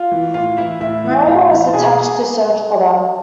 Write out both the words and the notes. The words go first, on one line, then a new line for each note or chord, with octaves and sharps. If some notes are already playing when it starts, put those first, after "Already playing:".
"Bramble" was detached to search for them.
Already playing: F4 F5
E3
A2 F4 F5
E3 E4 E5
A2 E4 E5
E3
A2 F4 F5
E3
A5
B2 G#4 G#5